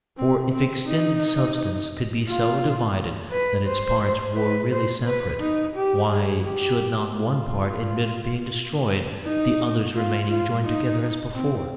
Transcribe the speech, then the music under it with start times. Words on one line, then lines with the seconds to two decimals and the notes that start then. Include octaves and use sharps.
For if extended substance could be so divided that its parts were really separate, why should not one part admit of being destroyed, the others remaining joined together as before?
0.17 C4
0.52 C4
0.87 D#4
2.27 F4
3.31 B4
3.67 C5
4.36 B4
4.71 C5
5.05 B4
5.41 D#4
5.76 G4
6.11 G#4
6.46 G4
7.16 F4
9.25 D#4
9.95 F4
10.30 F4
10.65 D#4
11.34 C4